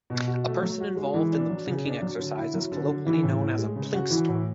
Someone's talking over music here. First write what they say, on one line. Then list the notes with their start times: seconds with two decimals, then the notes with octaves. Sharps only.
A person involving in the plinking exercise is colloquially known as a "plinkster".
0.10 B2
0.27 F#4
0.45 A3
0.62 F#3
0.80 F#4
0.97 G#3
1.14 E3
1.32 D4
1.49 F#3
1.67 C#3
1.85 D4
2.02 F#3
2.19 D3
2.37 E4
2.54 F#3
2.72 D3
2.88 D3
3.06 E3
3.23 A2
3.41 A2
3.59 G#3
3.76 C#3
3.94 F#4
4.10 E3
4.28 A2